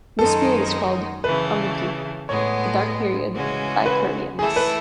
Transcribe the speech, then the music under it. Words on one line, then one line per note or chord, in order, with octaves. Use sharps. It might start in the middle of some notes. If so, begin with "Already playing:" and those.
This period is called "amhukki", the dark period by Koreans.
F#2 D#3 G#3 D#4 A4
C#3 E3 A3 B4
A2 G#3 B3 C#5
C#3 E3 G#3 C#4 F#4
B4
E3 A3 E4 G#4
B4